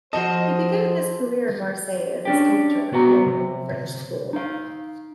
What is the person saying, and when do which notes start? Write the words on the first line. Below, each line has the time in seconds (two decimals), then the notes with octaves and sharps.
He began his career in Marseille as a sculptor following the French school.
0.13 F3 F#4 A4 C5 D#5
2.25 C#4 D4 G4
2.92 C3 B3 F#4 F5 A#5
3.26 C3
4.33 D#4 F5